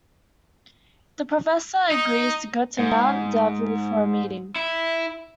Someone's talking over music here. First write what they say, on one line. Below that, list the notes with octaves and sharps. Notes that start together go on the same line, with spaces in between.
The professor agrees to go to Mount Devil for a meeting.
D#4
G#2
E4